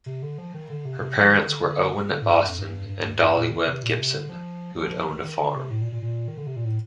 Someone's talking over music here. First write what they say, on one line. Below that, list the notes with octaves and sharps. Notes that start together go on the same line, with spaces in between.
Her parents were Owen Boston and Dollie Webb Gibson who had owned a farm.
C3
D3
F3
D#3
D3
C3
C3
F3
D#3
D3
D3
D3
A2
G2
F2
G2
G2
G2
G2
A#2
D#3
C3
A#2
C3
D3
F3
F3
D#3
D#3
D3
C3
A2
A#2
A#2
A#2
D#3
D3
C3
A#2
A2